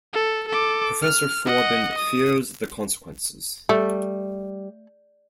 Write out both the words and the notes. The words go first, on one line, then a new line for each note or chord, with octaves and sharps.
Professor Forbin fears the consequences.
A4
A4 D6
F6
D#5 F#5
D#6
G3 A3